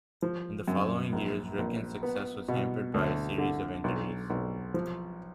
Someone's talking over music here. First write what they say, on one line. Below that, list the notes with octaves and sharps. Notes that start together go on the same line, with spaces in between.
In the following years, Ricken's success was hampered by a series of injuries.
F3
F#2
A#1
A#1
B3
B2
D2
D3
B1
B1
F3